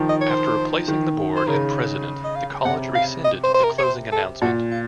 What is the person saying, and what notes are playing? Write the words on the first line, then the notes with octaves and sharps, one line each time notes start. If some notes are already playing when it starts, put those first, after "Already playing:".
After replacing the board and president, the college rescinded the closing announcement.
Already playing: D#3 F3
D#5
C#5
C5
D#3
C5
C#3 A#4
D#5
F5
C3 F#5
F5
D#5
C5
C5
A#4
C#5
C5
A4
A#2 F#4
F4